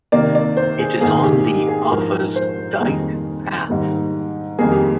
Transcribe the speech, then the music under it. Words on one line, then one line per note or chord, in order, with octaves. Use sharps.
It is on the Offa's Dyke Path.
C3 D#3 A#3 D5
D5
C5
G#4
G#2 D#3 A#3 G#4
G4
G4
G#4
G#2 F3 G#3 A#4
C5
F2 D#3 G3 A#3 G#4
G#2 D#3 G3 A#3
F2 D#3 G3 A#3 G#4
G4